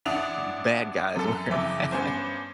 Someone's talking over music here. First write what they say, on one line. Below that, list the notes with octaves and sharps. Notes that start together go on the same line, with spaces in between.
bad guys wearing masks.
A1 D4 E5 F#5 D#6 F7
F#2 A4
F#1 F2 E5 D6
G2 B3 C#4 C5 G#5